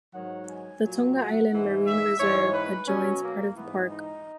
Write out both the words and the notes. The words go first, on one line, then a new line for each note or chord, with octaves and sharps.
The Tonga Island Marine Reserve adjoins part of the park.
G#2 D#3 F#3 F#5
G#5
A#2 F#3
F#5
G#2 E3
E5
G#2 E3 C#5
B4
B2 F#3 C#4
A#3
G#2 E3 B3
D#4